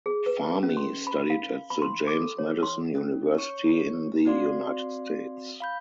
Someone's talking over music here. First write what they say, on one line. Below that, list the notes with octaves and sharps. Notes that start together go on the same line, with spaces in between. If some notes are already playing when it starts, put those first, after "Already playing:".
Fahmi studied at the James Madison University in the United States.
G#4
B4
C#4
C6
B5
F5
B5
C6
D6
A4
C#5
C6
C#4
C#5 C#6
C4 F#4 D5 F5 C6
F5 B5 G6